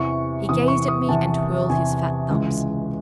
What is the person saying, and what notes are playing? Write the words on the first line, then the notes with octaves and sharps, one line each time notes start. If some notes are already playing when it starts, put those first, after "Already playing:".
He gazed at me, and twirled his fat thumbs.
Already playing: E2 C3 E3 C#6
E2 C3 E3 D#6
C#6
D#6
E2 C3 E3 A5
E2 C3 E3 G#5
C#2 C#3 E3 G#3